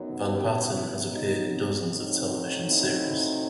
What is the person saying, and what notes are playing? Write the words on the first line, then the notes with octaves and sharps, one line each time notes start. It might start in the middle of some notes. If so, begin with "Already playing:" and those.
Van Patten has appeared in dozens of television series.
Already playing: F#2 F#3 B3 D#4
G4
E4
D#4
A2 F#3 C4 D#4
E4